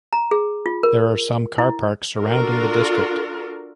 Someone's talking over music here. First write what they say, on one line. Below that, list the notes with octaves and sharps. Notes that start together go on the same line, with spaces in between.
There are some car parks surrounding the district.
A#5
G#4
F4
A#4
E4
D4 F4 F#4 A4 A#4